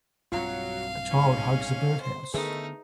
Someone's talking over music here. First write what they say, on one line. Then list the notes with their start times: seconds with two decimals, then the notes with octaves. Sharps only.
A child hugs a birdhouse.
0.32 B1 G2 F#3 C4 F4 F5 A#5
1.10 G#2 C#4
2.02 C5
2.34 D3 D#3 A3 B3 D#4 G#4 B4 E5